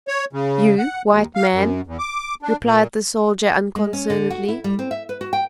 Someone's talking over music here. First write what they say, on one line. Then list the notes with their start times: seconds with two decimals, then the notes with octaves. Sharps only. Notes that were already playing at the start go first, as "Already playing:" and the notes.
"You, White Man?" replied the soldier unconcernedly.
0.08 C#5
0.33 C#3
0.79 F#5
1.09 D#2
1.35 F5
1.52 F#2
1.87 E2
1.99 D6
2.42 D4
2.63 A#2
3.76 G#3
3.93 C#4
4.10 D3
4.31 F#4
4.49 E4
4.64 G3
4.79 C4
4.91 E5
5.09 B4
5.21 F#4
5.33 G5